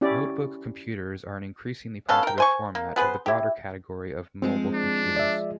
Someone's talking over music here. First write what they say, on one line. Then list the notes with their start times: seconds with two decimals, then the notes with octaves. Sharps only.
Notebook computers are an increasingly popular format of the broader category of mobile computers.
0.01 C#4 E4 G4 D5
2.09 B3 C#4 A4 F5
2.23 A#4 G5
2.38 C5 G#5 C#6
2.75 A#3
2.96 B3 G#4 B4 C5
3.26 E4 G4
4.42 F3 G#3 C4 G#4
4.75 D4
5.16 D5 E5